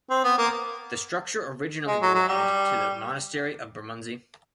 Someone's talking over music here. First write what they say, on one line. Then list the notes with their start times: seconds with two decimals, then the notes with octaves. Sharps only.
The structure originally belonged to the Monastery of Bermondsey.
0.10 C4
0.24 B3
0.38 A#3
1.87 G#3
2.02 F#3
2.15 F#3
2.28 G3